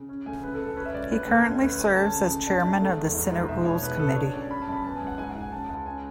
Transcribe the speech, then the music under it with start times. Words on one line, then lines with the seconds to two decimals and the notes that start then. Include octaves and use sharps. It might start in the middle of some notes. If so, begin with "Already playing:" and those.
He currently serves as Chairman of the Senate Rules Committee.
Already playing: C#3
0.09 C#4
0.26 D2 G#5
0.44 C#3 B4
0.54 A4
0.60 C#3
0.65 A4
0.76 C#4 B4
0.85 E5
0.94 C#2 D5
1.03 C#5
1.10 D2 B4
1.28 D2 A4
1.45 C#4
1.62 D2 B4
1.79 C#4
1.96 D2 A5
2.13 C#3
2.30 C#3
2.47 D4 A5
2.64 G#2
2.81 A3
2.98 E2
3.14 G#2
3.32 G#2
3.48 B2 E5
3.65 B2 C#5
3.82 B2 B4
3.99 B2 A4
4.16 D4 C#5
4.34 C#3 D5
4.51 C#4 B5
4.62 A5
4.67 F#2
4.72 B5
4.84 B3 A5
4.96 G#5
5.01 C#2
5.07 F#5
5.18 G#2 G#5
5.30 F#5
5.35 G#2
5.41 G#5
5.52 C#4 A5
5.69 C#2 A5
5.86 C#4 G#5